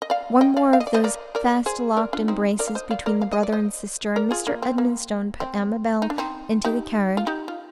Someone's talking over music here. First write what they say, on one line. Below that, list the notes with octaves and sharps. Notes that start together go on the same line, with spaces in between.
One more of those fast-locked embraces between the brother and sister, and Mr. Edmonstone put Amabel into the carriage.
D#5
D5 F5
D#5 G5
D5 F5
F5
D#5
D5
C5 D#5
A#4 D5
A#4 D5
G#4 C5
A#4 D5
D4 F4
C4 D#4
A#4 D5
F5
C5 D#5
D5 F5
A#4 D5
F5
D#5
D5
C5 D#5
A#4 D5
F4 G#4
A#3
C4
A#3
C4
D#4
D4
C4 D#4
D#4 G4
F4
D#4 G4
F4